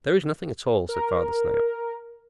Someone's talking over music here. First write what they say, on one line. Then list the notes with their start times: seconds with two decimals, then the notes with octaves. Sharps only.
"There is nothing at all," said Father Snail.
0.89 A#4